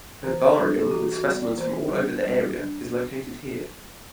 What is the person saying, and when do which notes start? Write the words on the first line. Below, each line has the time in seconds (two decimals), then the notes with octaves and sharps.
Herbarium with specimens from all over the area is located here.
0.24 E3 C5
0.40 C5
0.58 G3 D4 A4
0.75 A4
0.85 G4
0.91 E3 F#4
1.13 F#4
1.25 G3 B3
1.36 D5
1.58 E3 C5
1.91 G3 B3 D4
2.25 G3
2.58 D4